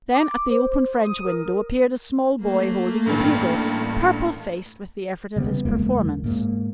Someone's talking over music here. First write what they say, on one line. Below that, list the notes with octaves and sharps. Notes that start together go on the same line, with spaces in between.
Then at the open French window appeared a small boy holding a bugle, purple-faced with the effort of his performance.
D6
C5
D#6
A#4
A3 A#3
A1 G2
C#3 G3 G#3 B3
F#1 E2 G#3 A#3
G#2 A#3